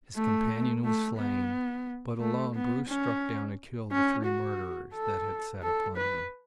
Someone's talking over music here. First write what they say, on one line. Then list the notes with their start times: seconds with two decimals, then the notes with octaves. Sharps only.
His companion was slain, but alone Bruce struck down and killed the three murderers that had set upon him.
0.15 A3
0.84 A3
1.17 B3
2.20 A3
2.55 B3
2.89 C#4
3.92 C#4
4.25 F#4
4.94 A4
5.63 A4
5.97 B4